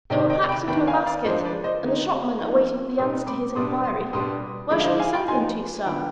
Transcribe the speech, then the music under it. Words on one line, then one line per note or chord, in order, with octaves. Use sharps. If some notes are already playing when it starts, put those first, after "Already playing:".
They were packed into a basket, and the shopman awaited the answer to his inquiry, 'Where shall we send them to, sir?'
C3 D#3 G#3 C4 D#5 G5
D#5 G5
G5 B5
D#3 B3 D4 G5 B5
F5 G#5
D5 F5
F3 G#3 D4 C5 D#5
B4 D5
C5 D#5
D3 G#3 B3 D#4
F3 B3 D#4
B2 G3 B3 D#4 C6 D#6
B5 D6
B2 G3 D4 C6 D#6
C6 D#6
B2 G3 D4 C6 D#6
D3 F3 G#3 D4 B5 D6
F5
C5 D#5
F5 G#5
G5 B5
F3 B3 D#4 G#5 C6
D3 F3 B3 G5 B5